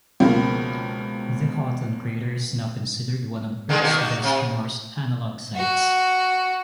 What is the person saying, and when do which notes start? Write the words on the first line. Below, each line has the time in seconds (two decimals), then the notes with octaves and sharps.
The Haughton crater is now considered one of Earth's best Mars analog sites.
0.20 C#2 B2 F3 A#3
3.69 D3 D#3 G#3
3.81 B2 D#3 A#3
3.98 D#4 F#4
4.23 C3
5.56 F#4